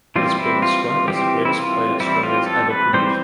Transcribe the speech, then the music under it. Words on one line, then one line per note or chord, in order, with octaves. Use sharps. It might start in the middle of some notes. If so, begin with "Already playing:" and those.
He has been described as the greatest player Australia has ever produced.
E3 G3 C4 F4
E4
F4
F4
E3 G3 C4 G4
E4
F4
E3 G3 C4 E4
F4
A4
B4
E3 G3 C4 C5